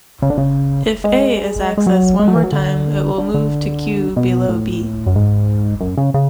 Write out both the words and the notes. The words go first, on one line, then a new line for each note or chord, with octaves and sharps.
If "a" is accessed one more time it will move to Q below "b".
C#3
D3
C#3
G#3
G#3
F#3
G#3
F#3
E3
F#3
D3
D3
D3
B2
A2
F#2
G#2
F#2
C#3
C#3